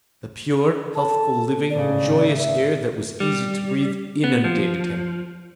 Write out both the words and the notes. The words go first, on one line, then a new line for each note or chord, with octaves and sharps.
The pure, healthful, living, joyous air that was easy to breathe inundated him.
A4 A5
A1 G#2 C#3 D5
E5
G3
B3
F3